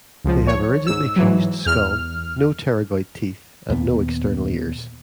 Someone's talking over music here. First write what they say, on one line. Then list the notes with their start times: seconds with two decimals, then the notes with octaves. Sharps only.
They have a rigidly fused skull, no pterygoid teeth, and no external ears.
0.24 C#2 F3
0.47 C#5
0.87 G#2 E6
1.16 G#2 E3 F#3
1.66 E2 F6
3.70 D#2 A#2 B3